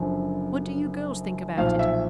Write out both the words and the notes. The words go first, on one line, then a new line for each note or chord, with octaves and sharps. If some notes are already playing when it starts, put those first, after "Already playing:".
"What do you girls think about it?"
Already playing: F#1 F#2 D3 F3
B1 A#2 F3 F5
E5